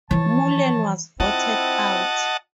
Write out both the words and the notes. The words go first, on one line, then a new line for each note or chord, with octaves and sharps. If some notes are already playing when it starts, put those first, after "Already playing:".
Mullen was voted out.
E3 F3 C#5 A5
C4 E4 F4 D#5 F#5 A5